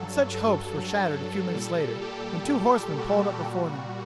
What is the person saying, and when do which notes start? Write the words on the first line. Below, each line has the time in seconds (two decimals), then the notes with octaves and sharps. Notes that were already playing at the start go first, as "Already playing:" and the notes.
But such hopes were shattered a few minutes later when two horsemen pulled up before them.
Already playing: G2 F#3 A4
1.06 A4
1.54 A#2 G3
2.01 G4
2.98 F#4
3.47 A#2 G3